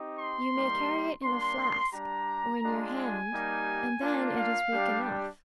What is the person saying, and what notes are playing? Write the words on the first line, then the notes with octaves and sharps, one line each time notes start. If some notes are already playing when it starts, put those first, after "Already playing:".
You may carry it in a flask, or in your hand, and then it is weak enough.
Already playing: C4 D#4 G4
C6
G3 A#3 D#4 G4
G3 A#3 D4 C6
G3 D4 G4 A#5
G#3 D4 F4
G#5
G3 A#3 D#4 G4
A#3 D4 F4
F5
G3 D4 G4